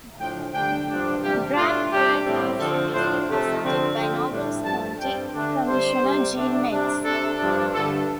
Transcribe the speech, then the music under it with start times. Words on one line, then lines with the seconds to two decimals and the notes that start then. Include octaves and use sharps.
Grand Prairie Township is represented by Nobles County Commissioner Gene Metz.
0.19 A2 F3 D4 G5
0.53 D3 G3 D4 G5
0.89 G2 F3 D4
1.23 C3 G3 D4 G4
1.56 A2 A3 D4 F4
1.91 C3 G3 D4 G4
2.25 A2 G3 C4
2.59 D3 F3 C4 A4
2.93 A2 F3 D4 C5
3.28 C3 F3 A3
3.62 D3 F3 C4
3.97 D3 F3 A3 C4 G5
4.30 A2 G3 D4
4.64 G2 F3 A3 A5
5.00 G2 G3 C4 G5
5.33 D3 A3 D4
5.67 D3 G3 C4 C5
6.02 C3 G3 C4
6.36 C3 A3 D4
6.71 C3 G3 D4
7.04 C3 A3 D4 A4
7.39 G2 F3 D4
7.73 G2 D3 A3 A4